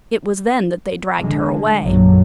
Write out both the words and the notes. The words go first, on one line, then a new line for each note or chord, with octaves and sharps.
It was then that they dragged her away.
D3 G#3
A#1 F#2 D3 F#3